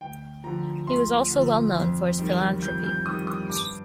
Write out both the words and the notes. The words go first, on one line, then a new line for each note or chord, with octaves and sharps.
He was also well known for his philanthropy.
D2 G5
D3 F3 A#5
D2 C6
D3 F3
F2
D#3 G3
F2 G6
G6
D#3 G3 D#6
D#6
G2 D6